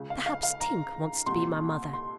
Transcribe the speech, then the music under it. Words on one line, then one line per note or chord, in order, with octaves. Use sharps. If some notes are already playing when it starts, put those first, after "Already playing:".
'Perhaps Tink wants to be my mother?'
Already playing: C#2 C#3
F5
F5
F5
A#5
C2 A#2 C6
C6